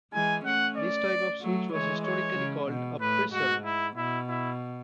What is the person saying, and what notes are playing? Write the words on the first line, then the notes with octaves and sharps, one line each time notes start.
This type of switch was historically called a "pressel".
E3 G#3 G#5
A3 C#4 F#5
D5
F#3 A3
E3 G#3 C#5
C#5
C#3
B2
A2 B4
G#2 F#4
E4
B2 E4
E4